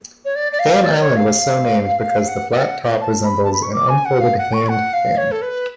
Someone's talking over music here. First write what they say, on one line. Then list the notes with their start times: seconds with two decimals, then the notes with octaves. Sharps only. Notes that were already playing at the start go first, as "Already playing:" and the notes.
Fan Island was so named because the flat top resembles an unfolded hand fan.
0.24 C#5
0.35 D5
0.52 D5
0.59 F5
0.82 D5
1.00 C#5
1.16 F5
2.27 F#5
2.51 F#5
3.00 A5
3.24 B5
3.44 A5
3.52 B5
3.62 C#6
3.72 D6
3.88 G#5
4.05 F#5
4.20 F5
4.37 F#5
4.53 C#6
4.68 F#5
4.93 F5
5.17 C#5
5.31 A4
5.41 B4